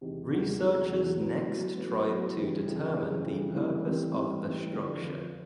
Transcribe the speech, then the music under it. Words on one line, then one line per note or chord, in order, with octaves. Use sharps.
Researchers next tried to determine the purpose of the structure.
E2 C3 D#3 G#3
E2 C3 D#3 G#3
E2 C3 D#3 G#3
E2 C3 D#3 G#3
A2 F#3 B3
A2 F#3 B3
A2 F#3 B3
A2 F#3 B3
F2 C#3 E3 G3
F2 C#3 E3 G3
F2 C#3 E3 G3
F2 C#3 E3 G3
A2 E3 G3 C4 D#4
A2 E3 G3 C4 D#4
A2 E3 G3 C4 D#4
A2 E3 G3 C4 D#4
F2 D3 F3
F2 D3 F3